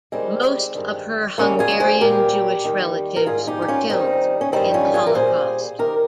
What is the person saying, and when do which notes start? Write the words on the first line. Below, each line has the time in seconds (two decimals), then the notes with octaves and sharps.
Most of her Hungarian Jewish relatives were killed in the Holocaust.
0.12 F2 D#3 G3 G#3 C4
0.75 G2 D#3 G3
1.38 D#2 C#3 G3 A#3 C#4
1.59 F4 G#4
1.80 G#4 C5
2.01 A#2 G3 G4 A#4
2.64 D#2 D#3 G3
3.16 A#4
3.26 G#2 D#3 G3 F4 G#4
3.47 D#4 G4
3.62 G4
3.68 C#4 F4
3.89 F2 D#3 G3 C4 D#4
4.41 C#4
4.52 G2 D#3 G3 C4 D#4
4.74 C#4 F4
4.94 F4 G#4
5.06 A#4
5.15 A#2 G3 G#4 C5
5.79 C3 D#3 G4 A#4